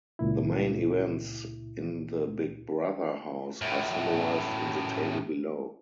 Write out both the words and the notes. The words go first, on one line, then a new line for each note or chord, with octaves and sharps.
The main events in the Big Brother house are summarised in the table below.
C#2 A#2 E4
F#2 A2